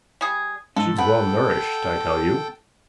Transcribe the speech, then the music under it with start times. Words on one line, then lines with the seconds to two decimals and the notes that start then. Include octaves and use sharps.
She's well nourished, I tell you.
0.21 G3 G#4
0.76 G#2 A4
0.98 A4 B4 F#5 G5